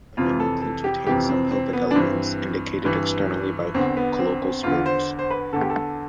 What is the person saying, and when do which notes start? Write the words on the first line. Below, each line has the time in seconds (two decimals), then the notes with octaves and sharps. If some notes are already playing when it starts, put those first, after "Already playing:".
Anomochilids retain some pelvic elements, indicated externally by cloacal spurs.
0.17 F2 C3 E3 F4
0.40 A4
0.62 A4
0.84 G4
1.06 F2 C3 E3 G4
1.29 C4
1.51 C4
1.73 B3
1.91 D4
1.96 G2 E3 C4
2.85 G2 E3
3.74 E2 D3 C4
3.97 B3
4.19 C4
4.42 C4
4.63 E2 D3 F4
4.86 C5
5.19 C5
5.30 B4
5.53 E2 D3 A4
5.61 G4
5.70 A4